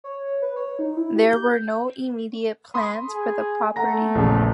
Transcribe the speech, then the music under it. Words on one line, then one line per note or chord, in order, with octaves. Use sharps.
There were no immediate plans for the property.
C#5
B4
C#5
D#4
E4
G4
G6
B5 C6 D#6
G#4
A3 F#5 A#5 A#6
A#1 E2 C#3